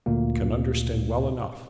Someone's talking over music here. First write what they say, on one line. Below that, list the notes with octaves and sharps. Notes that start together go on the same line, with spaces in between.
I can understand well enough.
D2 A#2 A#3